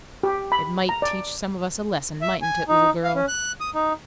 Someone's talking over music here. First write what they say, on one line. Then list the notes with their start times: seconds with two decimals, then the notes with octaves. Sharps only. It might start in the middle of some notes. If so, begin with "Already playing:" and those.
"It might teach some of us a lesson, mightn't it, little girl?"
0.23 G4
0.52 B5
0.89 A#5
1.02 D5
2.22 E5
2.42 G#5
2.68 D#4
3.04 F5
3.15 C#4
3.28 F#6
3.60 D#6
3.75 D#4